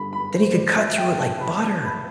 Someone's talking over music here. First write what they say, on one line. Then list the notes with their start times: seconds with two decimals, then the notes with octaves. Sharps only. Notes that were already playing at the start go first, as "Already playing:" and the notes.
Then he could cut through it like butter.
Already playing: G2 D3 B5
0.13 B5
0.34 C5
0.55 D5
0.77 E5
0.98 G5
1.20 A5
1.40 B5
1.62 A5
1.84 B5